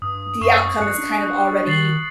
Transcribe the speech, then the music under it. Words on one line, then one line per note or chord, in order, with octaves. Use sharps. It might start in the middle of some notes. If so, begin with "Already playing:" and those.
the outcome is kind of already
G2 D#6
F#2 C#6 D#6 C7
G2 F#6 C#7
D4
D#3 A6 C7 F#7